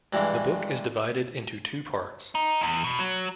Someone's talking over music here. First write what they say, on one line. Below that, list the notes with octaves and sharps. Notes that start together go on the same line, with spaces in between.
The book is divided into two parts.
G2 E3 G3 G#3
D#4
E2
B2
F#3